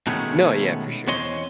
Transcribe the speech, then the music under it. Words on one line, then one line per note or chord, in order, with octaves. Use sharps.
No yeah, for sure.
B2 D#3 G#3 A3 B3 C#4
E2 C4 C#5 D#5 C6